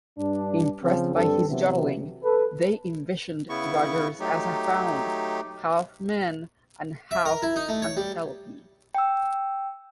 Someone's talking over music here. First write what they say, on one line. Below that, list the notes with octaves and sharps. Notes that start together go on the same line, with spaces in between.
Impressed by his yodeling, they envisioned Rodgers as a faun, half-man and half-antelope.
G2 D4
C#3 F3 C4
G2 C4 D4 A4
C3 E3 F#3 B3
A4 B4
C#3 B3 E4 C#6
F#3 A3 D#4 G4
E5
A#4
E4
D#4
A3
C#5
G3
G5 E6